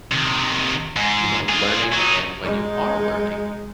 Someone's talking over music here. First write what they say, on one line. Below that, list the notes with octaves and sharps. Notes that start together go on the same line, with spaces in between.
you know, learning, and when you are learning
C3 D#3
G#2 G#3
F4 G#4
F#3 D#4
G#3 D#4